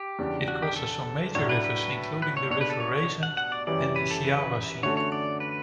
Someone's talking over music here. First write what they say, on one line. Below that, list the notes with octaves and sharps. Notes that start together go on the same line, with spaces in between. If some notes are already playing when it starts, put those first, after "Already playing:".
It crosses some major rivers, including the River Raisin and the Shiawassee.
Already playing: G4
E2 C#3 G3 D4
F#4
G4
A4
A2 F#3 A3 D4 C#5
B4
B4
B4
C#5
B2 G3 D4 C#5
B4
A4
C#5
F#5
F#5
D5
F#2 E3 G3 C#4 G4 D5
B4
A4
B4
D3 A3 C#4 F#4 A4 C#5
C#5
D5
B4